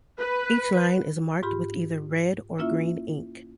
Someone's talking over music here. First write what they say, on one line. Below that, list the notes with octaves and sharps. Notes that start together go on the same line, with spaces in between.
Each line is marked with either red or green ink.
B4
G#2 F4 G4 B5
A#3 C#4 E4 F4 E5